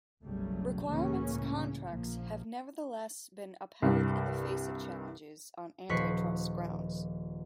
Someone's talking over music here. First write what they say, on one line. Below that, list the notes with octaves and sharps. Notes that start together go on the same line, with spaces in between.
Requirements contracts have nevertheless been upheld in the face of challenges on antitrust grounds.
F#1 B1 C#3 F#3 G3 A3
C#2 A2 C#3 E3 A#3 C#4
A#1 F3 A#3
C2 G2
D#1 F3 B4 C#6 B6 C7